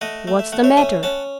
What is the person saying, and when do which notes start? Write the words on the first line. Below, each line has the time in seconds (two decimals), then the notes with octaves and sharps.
What's the matter?'
0.01 A3 D#5 F#5
0.27 A3
0.39 E5
0.52 A3 F#5
0.64 C#5 E5
0.77 C#4 E5 G#5
1.03 C#4 F#5 A5